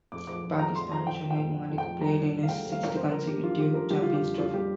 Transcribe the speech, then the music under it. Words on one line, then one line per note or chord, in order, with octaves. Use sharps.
Pakistan's Shoaib Malik played in his sixth consecutive Champions Trophy.
F2 D6
F3 D6
F2
F3 A#5
F2 C6
F3 A#5
F2 G5
F3
G5
F2
F3
F2
G5
F3
G3 A#5
C3
D2
F5
D2 G5
G3
F5
C3
A#4
G2 C5
F3 A#4
G2 G4
F3 F4
G2 G4
F3 A#4
G3 G4
F4
D3
G4
F2
F2 F4
G3 G4